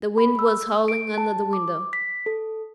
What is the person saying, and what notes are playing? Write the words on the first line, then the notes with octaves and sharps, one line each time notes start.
The wind was howling under the window.
B5
E6
D7
A5
D6
B6
A4